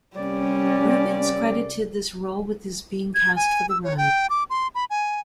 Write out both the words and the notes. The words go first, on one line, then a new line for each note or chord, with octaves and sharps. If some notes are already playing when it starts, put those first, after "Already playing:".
Reubens credited this role with his being cast for the ride.
C3 G3 A#3 C#4 D5
G#6
G#5
E6
C#5
G5
D6
C6
B5
G#5